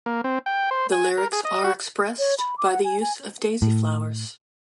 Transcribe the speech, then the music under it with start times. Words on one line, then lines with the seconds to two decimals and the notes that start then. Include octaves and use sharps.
The lyrics are expressed by the use of daisy flowers.
0.06 A#3
0.24 C4
0.46 G5
0.71 C5
0.92 G#5
1.18 A#4
1.33 G#4
1.45 D#5
1.64 F#4
2.19 C#5
2.38 B5
2.58 D6
2.70 F#5
2.84 G#5
3.01 G#5
3.62 A2